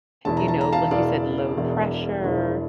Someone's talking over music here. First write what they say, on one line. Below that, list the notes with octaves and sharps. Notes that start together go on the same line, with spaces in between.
you know, like you said, low pressure,
E1 E2 E3 A5
A#5
A5
A#5
F5 A5
E1 E2 E3 D5 F5
E1 E2 E3
E1 E2 E3